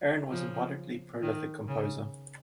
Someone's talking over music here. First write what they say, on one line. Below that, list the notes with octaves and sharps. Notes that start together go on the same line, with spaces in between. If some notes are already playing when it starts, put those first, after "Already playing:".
Arne was a moderately prolific composer.
C#3 F3
D#3
C#3